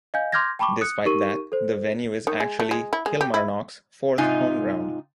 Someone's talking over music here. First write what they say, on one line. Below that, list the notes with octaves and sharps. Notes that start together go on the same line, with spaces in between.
Despite that, the venue is actually Kilmarnock's fourth home ground.
D#5 F5 G#5 G6
C6 D6 F6 G6 G#6 A#6
G5 A5 B5 C#6 D6
D#6 F#6 C#7
D#4 G4 A#4 C#6 D#7
A4 C5
D#3
G#3
A3
G#3
E4
G#3
G4
E4
G#2 C3 D#4 F4 G#5